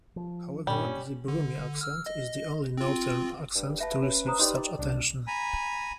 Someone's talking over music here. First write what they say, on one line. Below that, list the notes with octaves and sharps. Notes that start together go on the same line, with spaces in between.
However, the Brummie accent is the only 'northern' accent to receive such attention.
F3
G2 A#2 G3 C#4
D3
E6 F6
D#5
C4 F4
G2
B4 E5 F5 A5
C#4
C5 A#5 D#6
D#4 F#4 G4 C#5 D5 C6
C2 C3 D4
G#5 A#5 B5